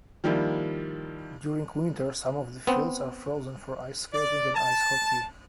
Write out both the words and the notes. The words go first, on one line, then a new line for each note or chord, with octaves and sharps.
During winter some of the fields are frozen for ice-skating and ice hockey.
D#3 F3 G3 A#3 E4
B3 C4
D5
A5